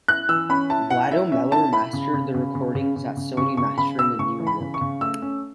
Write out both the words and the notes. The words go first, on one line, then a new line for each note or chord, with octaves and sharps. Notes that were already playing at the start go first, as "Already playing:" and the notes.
Vlado Meller mastered the recordings at Sony Mastering in New York.
E4 F#6
E3 E6
C#4 B5
E4 A5
E4 F#5
E4 E5
C#4 E5
E4 A5
E4 B5
C#3
C#3
C#3
C#3
C#3
C#3
C#3
C#3 C#6
C#3 C#6
C#3 B5
B3 E6
C#3 C#6
E3
B5
C#3
C#6
C#3
A3 E6
C#4